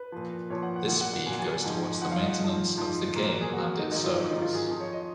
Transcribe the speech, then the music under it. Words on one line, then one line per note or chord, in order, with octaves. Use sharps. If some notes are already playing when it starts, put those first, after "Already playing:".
This fee goes toward the maintenance of the game and its servers.
Already playing: B4
A#2 F3
A#2 F3 C#5
F#5
F#5
A#2 F#3 F#5
F#5
F#5
A#2 F#3 G#5
G#5
G#5
G#2 F3
G#2 F3 F#5
F5
D#5
G#2 F3
G#2 F3
A#2 F#3 A#4
A#4
G#4
A#2 F#3 F#4
D#4
G#2 D#3 F#3 D#4
F4
G#2 D#3 F#3 D#4
F4
G#4
F2 F3
C#5
D#5